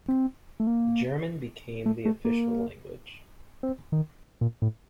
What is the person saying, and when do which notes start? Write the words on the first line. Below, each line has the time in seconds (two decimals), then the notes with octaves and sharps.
German became the official language.
0.08 C4
0.60 A3
0.67 A#3
1.86 A3
2.05 A3
2.25 A#3
3.63 C4
3.92 D#3
4.41 A#2
4.62 A2